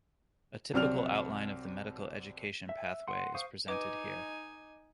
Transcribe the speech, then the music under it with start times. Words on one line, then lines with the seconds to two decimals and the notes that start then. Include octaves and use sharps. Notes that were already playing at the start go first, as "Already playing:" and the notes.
A typical outline of the medical education pathway is presented here.
0.73 C2 F#3 C4 D5 F6 F7
2.69 E5
3.08 F#5 C6
3.35 C5 F5 C#6 D#6
3.68 D#4 B4 D#5 G#5 D6